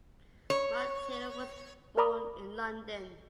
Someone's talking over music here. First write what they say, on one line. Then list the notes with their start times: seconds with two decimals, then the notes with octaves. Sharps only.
Monteiro was born in London.
0.50 C#5
1.97 A#4 D5 A#5 B5 D6 D#6